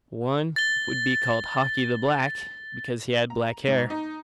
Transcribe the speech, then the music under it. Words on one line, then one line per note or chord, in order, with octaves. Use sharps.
One would be called Haki the Black because he had black hair.
A6 G7
A#5
G#2
D#4